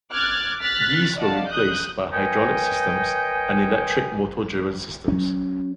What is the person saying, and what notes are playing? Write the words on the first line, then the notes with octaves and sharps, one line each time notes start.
These were replaced by hydraulic systems and electric motor-driven systems.
D6 F6 F#6 G#6 A6
F6 F#6 A6 B6
D5 D#5 F5 F#5 A5
D#6 F#6 G6
A#4 B4 C#5 D#5 G5 G#5
F#3 C#4